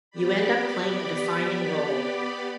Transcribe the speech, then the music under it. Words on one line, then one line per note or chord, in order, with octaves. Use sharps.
You end up playing a defining role.
B3 G4 D5 B5